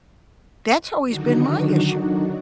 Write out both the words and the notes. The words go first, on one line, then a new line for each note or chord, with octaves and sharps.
that's always been my issue.
D3 D#3 F#3 D4 D#4 F#4